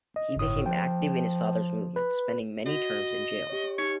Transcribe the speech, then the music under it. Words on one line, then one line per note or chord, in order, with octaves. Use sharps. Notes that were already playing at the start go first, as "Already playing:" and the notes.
He became active in his father's movement, spending many terms in jail.
D#5
G1 A2 D#6
F3 G5
B4
F#4 D#5
G4 C#5
D#4 G4 C#5